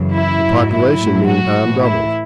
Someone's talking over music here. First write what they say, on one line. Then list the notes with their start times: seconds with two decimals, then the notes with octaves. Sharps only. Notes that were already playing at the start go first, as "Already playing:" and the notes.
The population meantime doubled.
Already playing: F#2 C#3 E3
0.14 E4
0.42 G#2 F#3
0.71 E4
0.98 A2 F#3
1.27 F#4
1.56 A2 E3
1.85 E4